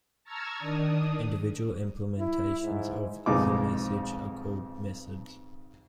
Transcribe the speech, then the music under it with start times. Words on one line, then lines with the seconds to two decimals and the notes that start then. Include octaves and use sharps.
Individual implementations of the "message" are called "methods".
0.24 A5 A#5 C#6 E6 F6 G#6
0.58 D#3 D4 D#6
2.19 E4
2.63 G#2
3.26 B1 F2 G#3 D#4 D6